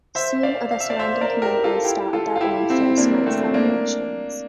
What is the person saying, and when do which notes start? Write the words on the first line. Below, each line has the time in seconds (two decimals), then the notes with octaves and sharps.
Soon other surrounding communities started their own First Night celebrations.
0.15 C5 E5
0.43 D5 F5
0.71 F5
0.80 E5
0.90 D5 F5
0.99 C5 E5
1.21 A#4 D5
1.42 G4 A#4
1.64 F4 A4
1.85 E4 G4
2.13 F4 A4
2.35 F4
2.41 E4 G4
2.70 C4 E4
2.97 A#3 D4
3.26 A3 C4
3.42 C4
3.54 A#3 D4